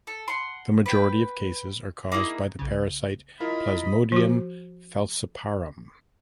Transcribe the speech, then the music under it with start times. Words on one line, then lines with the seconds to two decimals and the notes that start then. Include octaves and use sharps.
The majority of cases are caused by the parasite "Plasmodium falciparum".
0.07 A4
0.28 F#5 C6
0.86 B4 G5
2.12 A#3 D#4 E4 G#4
2.59 B1 C#3
3.40 E4 F4 A#4 D#5 B5
4.12 F3 F#4